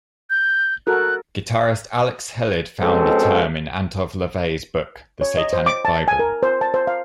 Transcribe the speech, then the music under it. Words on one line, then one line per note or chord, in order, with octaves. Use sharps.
Guitarist Alex Hellid found the term in Anton LaVey's book "The Satanic Bible".
G6
F#4 A4 A#4 F#6
B2 F3 G#3 C4 C#4 A4
C#5
D#5
C5
D6
A5
G#5
A#4
C5
A5
C5
F5